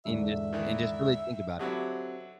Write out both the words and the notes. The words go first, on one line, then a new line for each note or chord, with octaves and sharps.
and just and just really think about it.
E2 G#2 D3 E5
D#3 E3 E4
D3 F#3 C4 E4 F#4 G4 D#5